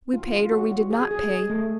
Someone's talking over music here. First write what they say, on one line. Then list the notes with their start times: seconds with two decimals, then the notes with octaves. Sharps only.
We paid or we did not pay.
0.13 F4
0.32 F4
0.52 F#4
0.72 F#4
0.90 G#4
1.11 G#4
1.30 G#4
1.50 A3